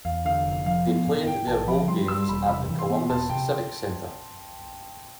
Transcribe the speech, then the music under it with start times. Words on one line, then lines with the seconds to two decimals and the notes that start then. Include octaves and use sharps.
They played their home games at the Columbus Civic Center.
0.05 E2 F5
0.25 D3 F5
0.46 F1
0.66 F3 F5
0.86 B3
1.07 A2
1.27 A2 G5
1.47 A1 A5
1.67 F3 B5
1.88 G3 C6
2.08 G3 E6
2.29 E1 B5
2.48 C3 B5
2.69 E3
2.79 C6
2.90 B3
3.09 E1 A5
3.30 C3 G5